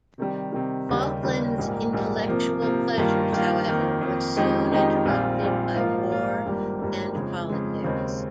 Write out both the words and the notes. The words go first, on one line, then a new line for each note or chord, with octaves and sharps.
Falkland's intellectual pleasures, however, were soon interrupted by war and politics.
C3 D#3 G3
C3 D#3 G3
D#2 C#3 G3
D#2 C#3 G3
A#1 G#2 G3 A#3
A#1 G#2 G3 A#3
C3 F3 A#3
C3 F3 A#3
G2 D#3 A#3 F4
G2 D#3 A#3 F4
F2 D#3 A#3
F2 D#3 A#3
F2 D#3 G#3 D#4 G4
F2 D#3 G#3 D#4 G4
A#1 A#2 G3 C4 F4
A#1 A#2 G3 C4 F4
G#2 F3 A#3 F4
G#2 F3 A#3 F4
G#1 G2 G3 A#3
G#1 G2 G3 A#3
F2 C#3 G#3
F2 C#3 G#3
D#2 C#3 G#3 C4